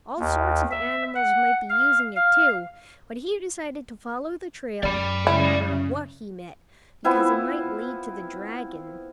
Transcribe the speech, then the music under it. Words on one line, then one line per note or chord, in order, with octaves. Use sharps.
All sorts of animals might be using it too, but he decided to follow the trail no matter what he met because it might lead to the dragon.
D#2
E5
F#5
F5
F5
F#2 D5 B5
C#3 E4
B3 C4 E4 F4